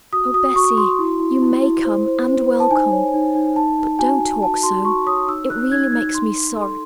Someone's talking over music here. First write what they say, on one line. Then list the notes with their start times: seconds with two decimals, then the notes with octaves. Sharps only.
'Oh Bessy! you may come and welcome; but don't talk so--it really makes me sorry.
0.13 F#4 D#6
0.34 F#4 D#6
0.56 F#4 C#6
0.77 F#4 C6
0.99 E4
1.20 E4
1.42 E4
1.63 E4
1.85 C5
2.06 C5
2.28 C5
2.49 C5
2.60 A5
2.70 D#4 G#5
2.92 C#5
3.14 D#4
3.35 D#4
3.56 D#4 A5
3.79 D#4
3.99 F#4 G#5
4.20 D#4
4.42 F#4 A5
4.63 F#4 C6
4.85 F#4 C#6
5.06 C#5 D#6
5.28 D#4 E6
5.50 D#4 F#6
5.72 D#4 G#6
5.92 D#4 G#6
6.14 D#4 C6
6.36 D#4
6.57 A4 C6